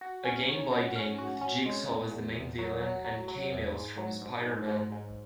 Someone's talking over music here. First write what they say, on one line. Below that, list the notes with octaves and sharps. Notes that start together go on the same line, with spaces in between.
A Game Boy game with Jigsaw as the main villain and cameos from Spider-man.
F#4
C#4
C#5
F#4
C#4
F#4
C#4
G#3
E2
E2
E2
F#3
F#3
F#3
F#3
E2
G#2
F#3
G#2
G#2
G#2
G#2